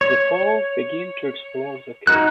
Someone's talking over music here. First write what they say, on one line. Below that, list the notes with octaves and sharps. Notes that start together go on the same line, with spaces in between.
The four begin to explore the cave.
C#5
D#4 F#4 F#6